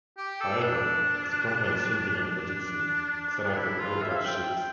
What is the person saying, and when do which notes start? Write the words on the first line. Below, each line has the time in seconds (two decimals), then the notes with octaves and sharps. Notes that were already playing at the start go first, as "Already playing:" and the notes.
However, the company soon began producing Saratoga Chips.
0.17 G4
0.40 A4
0.62 D4
2.21 D4
3.52 D4
3.57 E4
3.79 F4
4.02 E5
4.09 F5
4.16 E5
4.25 G5